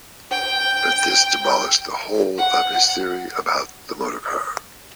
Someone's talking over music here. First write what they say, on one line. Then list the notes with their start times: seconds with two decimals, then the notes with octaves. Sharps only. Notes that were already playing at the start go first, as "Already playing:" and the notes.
But this demolished the whole of his theory about the motorcar.
0.31 G5
2.38 F#5